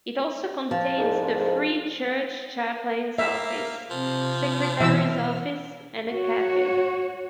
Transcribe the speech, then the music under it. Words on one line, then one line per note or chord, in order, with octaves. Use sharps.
It also contains the Free Church Chaplains' office, Secretary's office and a Cafe.
F3
C2 F2 G#2
A#3 E5
C3 F3
B2 E3 E5 E6 F6
F#4 C#5